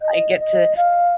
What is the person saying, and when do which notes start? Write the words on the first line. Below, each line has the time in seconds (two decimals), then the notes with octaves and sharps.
I get to
0.02 D#5
0.39 D#5
0.77 F5